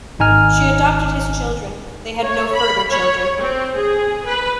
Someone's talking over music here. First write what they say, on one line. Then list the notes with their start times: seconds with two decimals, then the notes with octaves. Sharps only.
She adopted his children; they had no further children.
0.19 G#1 D#4 G#5 F6
2.24 C#5
2.55 B5
2.90 C#5
3.38 C4
3.76 G#4
4.26 B4